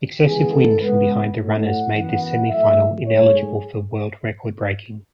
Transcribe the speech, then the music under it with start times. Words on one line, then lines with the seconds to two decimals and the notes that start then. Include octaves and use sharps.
Excessive wind from behind the runners made this semifinal ineligible for world record breaking.
0.25 C#3 E3 G#3 B3 G#4
0.52 A4
0.80 C#3 G#3 B3 B4
1.36 A2 F#3 A3
1.64 F#5
1.92 F#2 E3 B3 F#5
2.20 F#5
2.49 A2 F#3 A3 E5
3.06 G#2 F#3 A3 C#5
3.33 G#4